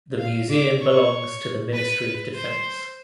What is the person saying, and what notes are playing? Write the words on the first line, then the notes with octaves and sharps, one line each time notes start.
The museum belongs to the Ministry of Defense.
F5
D5
C#5
B4
C5